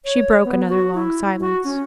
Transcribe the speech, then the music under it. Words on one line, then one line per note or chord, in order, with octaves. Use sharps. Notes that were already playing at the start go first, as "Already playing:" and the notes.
She broke another long silence.
C#5
B3
F#4
E4
F#4
C#4